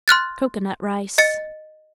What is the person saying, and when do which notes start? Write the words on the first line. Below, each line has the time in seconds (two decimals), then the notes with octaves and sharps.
Cocoanut Rice.
0.08 C6 F6 F#6 A6
1.18 D#5 A6 C#7